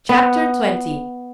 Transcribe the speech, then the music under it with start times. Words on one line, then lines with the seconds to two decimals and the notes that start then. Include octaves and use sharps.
Chapter XX.
0.09 B3